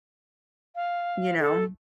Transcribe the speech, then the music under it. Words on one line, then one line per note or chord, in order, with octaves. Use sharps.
You know?
F5
A4